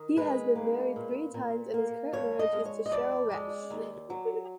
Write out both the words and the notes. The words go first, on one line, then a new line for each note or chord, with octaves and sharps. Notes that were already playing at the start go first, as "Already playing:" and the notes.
He has been married three times and his current marriage is to Cheryl Resh.
Already playing: D#3
G#3 B4
A#3
A#2
A#2
A#3
F2 C#5
D#5
G#3
C#5
D#5
F2 D5
G#3
D#2
F#3